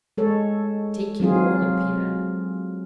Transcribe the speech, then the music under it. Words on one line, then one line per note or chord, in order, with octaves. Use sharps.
Take you warning, Pierre!
G#3 A4 C#5
F#3 C4 F4 G#4